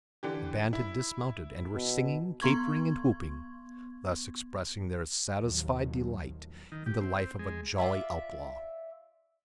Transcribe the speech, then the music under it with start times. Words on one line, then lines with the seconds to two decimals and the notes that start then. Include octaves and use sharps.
The band had dismounted and were singing, capering, and whooping, thus expressing their satisfied delight in the life of a jolly outlaw.
0.23 D3 E3 G4
0.73 E4
1.74 B2
2.41 B3 C6 C#6 G#6
5.39 D#2 A2 F3 F#3
6.72 D#3
6.86 G4
7.01 C4
7.39 G#3
7.78 F4 D5 E5